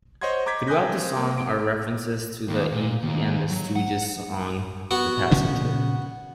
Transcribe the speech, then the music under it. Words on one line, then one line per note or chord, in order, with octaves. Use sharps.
Throughout the song are references to the Iggy and the Stooges song, "The Passenger".
C5 C#5 D#5 F#5 C6 G#6
A#5 D6 G6 G#6 B6
G5 G#5 D#6 F#6 G6 A#6
C4
A#3
D7
D#2
A#2
D#2
F#3
F#5
B3 F#4
A#2 C#3 C#4